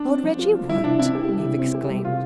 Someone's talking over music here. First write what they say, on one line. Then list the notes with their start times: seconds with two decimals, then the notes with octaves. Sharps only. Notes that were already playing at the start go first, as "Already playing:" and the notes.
"Lord Reggie what!" Eve exclaimed.
Already playing: D4
0.09 C4
0.24 F3
0.39 F4
0.54 F3
0.69 G3 E4
0.84 C3 D4
0.99 C4 E4
1.15 G4
1.29 G3
1.45 C3
1.59 C4
1.75 G4
1.90 G3
2.04 C3 F4